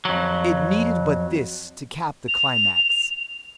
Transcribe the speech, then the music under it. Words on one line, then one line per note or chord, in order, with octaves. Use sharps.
It needed but this to cap the climax.
F2 F#3
F7